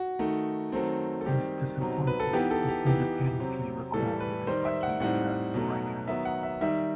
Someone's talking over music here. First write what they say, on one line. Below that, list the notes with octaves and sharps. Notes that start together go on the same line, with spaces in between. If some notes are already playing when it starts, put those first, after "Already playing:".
His disappointment is independently recorded by Giesler and Breker.
Already playing: F#4
D#3 A3 D#4
D#3 F#3 A3 C4
A4
D#3 G3 C4 D#4 G4
B2 F#3 C4 D#4
B4
A4
E3 B3 D#4 G4
A4
G4
E3 B3 D#4 G4
C3 F#3 C4
A2 E3 G3 A4
B4
D#3 G3 D#4 C5
E5
F#5
A2 G3 C4 D#4 F#5
B2 F#3 A3 D#4
D#3 F#3 B3 D#4 E5
F#5
E5
D#3 G3 D#4 E5